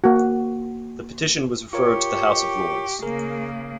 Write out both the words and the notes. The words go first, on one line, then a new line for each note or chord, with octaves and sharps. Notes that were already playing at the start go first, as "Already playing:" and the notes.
The petition was referred to the House of Lords.
A#3 F#4
F4 G4 A#4 C#5 C#6
C#3 A#3 G#4 A#4